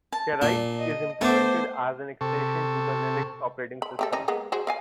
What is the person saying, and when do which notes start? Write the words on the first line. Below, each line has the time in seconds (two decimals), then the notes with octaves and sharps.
Kerrighed is implemented as an extension to the Linux operating system.
0.12 A5
0.42 A#2 D4
0.79 D#5
1.21 A3 B3 C5 A5 D6
2.21 C3 A4 C#6
3.82 B5
3.99 A3 G4 A4
4.13 G3 C#4 D#4
4.28 G#3 A#3 B3
4.52 F#4 G#4 C5
4.67 A#4 F5 G#5